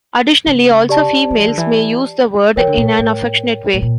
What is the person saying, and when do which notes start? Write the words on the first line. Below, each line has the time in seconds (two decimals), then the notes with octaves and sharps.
Additionally, also females may use the word in an affectionate way.
0.46 C#3
0.89 G4 D5 A5
1.31 F3
1.40 E3
1.48 D3
1.58 E3
2.56 E3 A#4 C#5 G5
2.67 D3
2.77 A#2
2.99 A2
3.74 A2
3.82 A#2